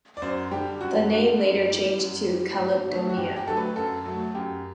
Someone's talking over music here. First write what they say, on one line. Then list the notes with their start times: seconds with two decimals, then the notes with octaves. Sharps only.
The name later changed to Caledonia.
0.17 D5
0.22 F#2 C5
0.51 D3 G3 G4
0.81 F#2 F#4
1.10 D3 G3 F#4
1.40 F#2
1.69 E3 G3
1.98 F#2
2.28 E3 G3
2.58 G2
2.87 D3 F#3 A3
3.09 F#4
3.17 G2 G4
3.36 G4
3.47 D3 F#3 A3 A4
3.57 B4
3.76 F#2 A4
4.05 F#3 A3
4.34 F#2 G4